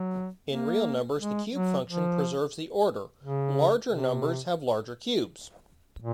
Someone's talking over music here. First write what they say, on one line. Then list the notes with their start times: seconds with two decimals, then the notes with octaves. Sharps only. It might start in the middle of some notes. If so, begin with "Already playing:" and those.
In real numbers, the cube function preserves the order: larger numbers have larger cubes.
Already playing: F#3
0.48 A#3
1.18 G#3
1.52 F#3
1.86 F3
3.23 C#3
3.92 C3
5.98 A#2